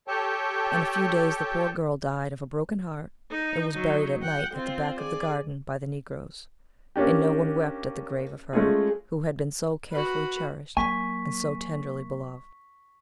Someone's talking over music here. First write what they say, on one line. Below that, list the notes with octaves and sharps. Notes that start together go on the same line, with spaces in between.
In a few days the poor girl died of a broken heart, and was buried at night at the back of the garden by the Negroes; and no one wept at the grave of her who had been so carefully cherished, and so tenderly beloved.
G4 A4 C#5 G5 A5
D#4
F#3 D#4
F#5 G5
C4 F4
G#4 D5
A#3 C#4 D4 G4
G#3 A3 C#4 F4 G#4
F#4 B4
F#3 A#3 G#5 C#6 B6